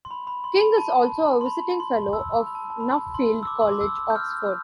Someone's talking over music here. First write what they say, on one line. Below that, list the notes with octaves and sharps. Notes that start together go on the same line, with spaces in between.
King is also a Visiting Fellow of Nuffield College, Oxford.
C6
B5
B5
C6
B5
A5
C6
B5
C6
E6
B5
A5
A5
B5
C6
E6
D6
C6
D6
E6
G6
F6